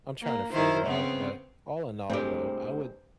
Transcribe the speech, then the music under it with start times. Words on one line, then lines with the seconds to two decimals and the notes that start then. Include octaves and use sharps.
I'm trying to figure out. But all in all, though, I would
0.22 A#3
0.52 D#3 E4 C5
0.86 C#3 B3 C4
2.10 C2 G2 G#3 A3 C4 G4 C5